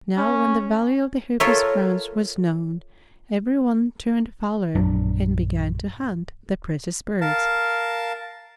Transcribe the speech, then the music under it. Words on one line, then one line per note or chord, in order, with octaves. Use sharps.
Now when the value of the Hoopoes' crowns was known, every one turned fowler and began to hunt the precious birds.
C#4
F4 A4 A#4 C#5 E5
A#1 F#2 F#3 D4
A#4 F5 A5